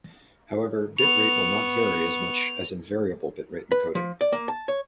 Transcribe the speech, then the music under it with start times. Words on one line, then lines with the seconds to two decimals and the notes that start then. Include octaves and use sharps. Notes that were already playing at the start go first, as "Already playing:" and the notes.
However, bitrate will not vary as much as in variable bitrate encoding.
0.98 B3 C#6 F7
3.72 B4
3.95 F3
4.21 D5
4.32 A#3
4.48 A5
4.68 C#5